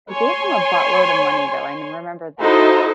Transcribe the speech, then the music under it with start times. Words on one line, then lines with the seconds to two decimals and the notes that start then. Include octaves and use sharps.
They gave him a buttload of money, though. I n remember that.
0.12 C#5 G#5 C6
2.41 D#4 E4 F#4 A4 C5